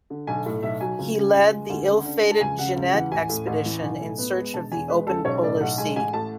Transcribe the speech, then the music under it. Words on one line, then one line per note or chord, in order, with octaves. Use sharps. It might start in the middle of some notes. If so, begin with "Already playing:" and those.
He led the ill-fated Jeannette Expedition in search of the Open Polar Sea.
D3
B1 G#5
A2
B1 E5
F#3 G#5
C#2
C#3
C#2
G#3
D2
C#3
D4
G#3
A5
C#2 G#5
C#3 F#5
C#2
E3 F#5
A1 G#5
A2
A1
E3
B1
A2
B3
G#3
E1 A5
E2 G#5
G#3 B4
C#3 A4
B1 C#5
A2 D5
B1 F#5
G#3 G#5
A1 G#5
A2 A5